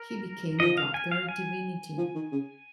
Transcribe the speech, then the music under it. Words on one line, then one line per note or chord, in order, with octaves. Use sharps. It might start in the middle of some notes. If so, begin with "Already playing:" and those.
He became a Doctor of Divinity.
Already playing: A#4
F3 D#5
F5
G#5
F5
G#5
F3
D#3
C#3